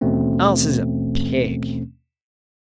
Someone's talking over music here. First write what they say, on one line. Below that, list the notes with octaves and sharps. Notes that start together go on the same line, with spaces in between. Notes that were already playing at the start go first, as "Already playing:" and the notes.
Alice is a pig.
D#2 B2 E3 A3 C4 C#4